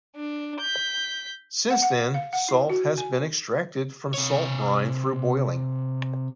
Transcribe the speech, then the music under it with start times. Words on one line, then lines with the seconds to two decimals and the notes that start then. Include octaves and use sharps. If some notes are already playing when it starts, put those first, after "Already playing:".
Since then salt has been extracted from salt brine through boiling.
0.16 D4
0.61 G6 B6
1.70 F#5
1.82 F#5
2.14 F5
2.33 F#5
2.48 E4
2.70 F#4
2.98 G#5
4.14 C3 C#5